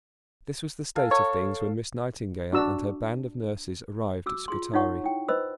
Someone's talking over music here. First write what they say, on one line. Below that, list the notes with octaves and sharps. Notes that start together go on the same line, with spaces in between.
This was the state of things when Miss Nightingale and her band of nurses arrived at Scutari.
A4 F5 G#5
A4 C#5
D4 F#4 E6
F#4 D6 E6
F4 G#4 C6
D#4 F4 C#5 F#5 C#6
E4 G5
B4 C5 D#5 B5 E6